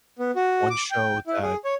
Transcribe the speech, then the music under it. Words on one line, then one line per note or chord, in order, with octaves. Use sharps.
one show that
B3
F#4
D6
G5
E4
G#4
C#5